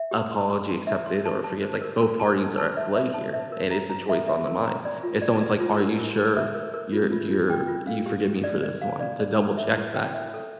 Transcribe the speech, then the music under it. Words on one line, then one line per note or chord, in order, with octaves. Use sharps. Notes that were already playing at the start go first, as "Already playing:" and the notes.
apology accepted or forgive, like, both parties are at play here, and it's a choice on the mind. If someone's like, "Are you sure you're you're you forgive me for this one." To double check that,
Already playing: E5
G4
C6
C6
C6
E5
C6
A5
A5
C5
A#4
A#4
A5
A#4
A5
E5
E5
A5
E5
A#4
A#5
A#5
E5
E5
A#4
A#5
D5
F4
D5
D5
F4
A#4
A#4
A#4
E5
A#4
A#4
F4
F4
F4
G5
F4
F5
G4
G4
D5
D5
F5
D5
D5
A4
E5
E4
G5
E5
A4